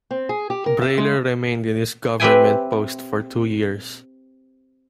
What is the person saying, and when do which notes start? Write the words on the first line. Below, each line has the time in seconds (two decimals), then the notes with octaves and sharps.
Brailer remained in his government post for two years.
0.11 C4
0.29 G#4
0.50 G4
0.66 A#4
0.82 E5
0.98 G#3
2.20 C4 G4 B4 E5 G5 G#5